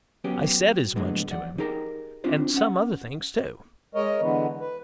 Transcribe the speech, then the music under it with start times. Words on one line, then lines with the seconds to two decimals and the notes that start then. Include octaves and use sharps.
I said as much to him--and some other things too.
0.24 F#3 B3 C#4 G4
0.96 C2 A2 D3 F#3 G#3 B3
1.31 E2 F3 D5 F#5
1.58 D#4 G4 G#4 A#4 G5 A#5
2.24 C4 D4 D#4 F4 G4 C5
2.54 C#4 F#5
3.95 G#3 A#4 C#5 D#5
4.21 D3 E3 G#3 B3
4.60 B4